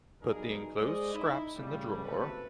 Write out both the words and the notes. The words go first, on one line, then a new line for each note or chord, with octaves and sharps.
Put the enclosed scraps in the drawer.
B1 G2 D#4 G#4 A#4
G#3 G#4 C5 D5 D#5
D#4 E4
A2 C#3 G3
F#1 C#2 C3 A3 A4 B4